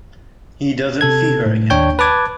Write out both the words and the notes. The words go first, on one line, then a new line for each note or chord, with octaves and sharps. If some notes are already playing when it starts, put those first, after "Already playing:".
He doesn't see her again.
C3 A4 G#6
A2
D#2 D4 C#5 G5 G6
B4 A5 D6 G#6